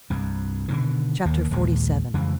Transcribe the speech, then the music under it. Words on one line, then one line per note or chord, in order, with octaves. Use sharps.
Chapter XLVII.
C2 G2
B2 D3 D#3
D#2 D#3 A#3
A#1 D#2 A#2 G#3
F2 C#3 E3 G#3